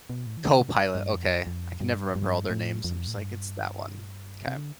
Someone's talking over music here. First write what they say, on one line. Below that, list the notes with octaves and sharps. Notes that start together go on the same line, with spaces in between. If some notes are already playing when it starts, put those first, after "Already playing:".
Copilot, okay. I can never remember all their names, I'm just like, "It's that one." 'Kay.
B2
A2
E3
D3
C3
G2
F2
F2
G2
G2
A2
F2
A2
G2
C3
D3